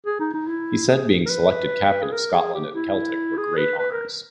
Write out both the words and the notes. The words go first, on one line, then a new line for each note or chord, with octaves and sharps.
He said being selected captain of Scotland and Celtic were great honours.
G#4
D#4
D#4
E4
G#4
A#4
B4
G#4
A#4
G#4
G4
E4
G#4
B4
B4
A#4